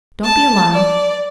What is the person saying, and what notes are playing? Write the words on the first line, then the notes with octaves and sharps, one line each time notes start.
Don't be alarmed.
A5
D5